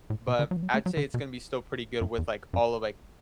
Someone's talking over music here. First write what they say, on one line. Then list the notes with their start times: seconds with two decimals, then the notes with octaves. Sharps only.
but I'd say it's gonna be still pretty good with, like, all of, like,
0.10 A2
0.28 B2
0.39 D3
0.51 F#3
0.57 E3
0.63 F#3
0.74 A3
0.86 F#3
0.97 D3
1.14 B2
2.01 F#2
2.18 E2
2.53 F#2